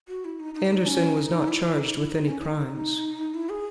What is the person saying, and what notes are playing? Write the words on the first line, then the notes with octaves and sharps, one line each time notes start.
Andersen was not charged with any crimes.
F#4
E4
D#4
D#4
D#4
C#4
E4
D#4
E4
D#4
E4
D#4
C#4
E4
D#4
E4
G#4